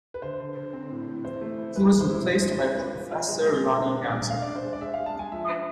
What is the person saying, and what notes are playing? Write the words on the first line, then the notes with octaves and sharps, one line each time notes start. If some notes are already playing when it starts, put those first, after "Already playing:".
He was replaced by Prof. Roni Gamzo.
B4
D3 C5
D3
D3
C4
A2
A2
E3 C5
A3
E4
G#3 B4
G#3
C5
E4
G#3 C5
D4
C5
G#3
F4 B4
F4 B4
F4
G#3
G#3
B2
D4 C5
D4
D5
G#3
D4 F5
D4 D5
C5
G#3
D5
G#4 E5
G#3 F5
A5
G#3 G#5
F3 E5
D4